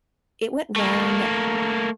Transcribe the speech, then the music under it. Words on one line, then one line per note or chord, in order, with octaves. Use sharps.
it went wrong
A3 A#3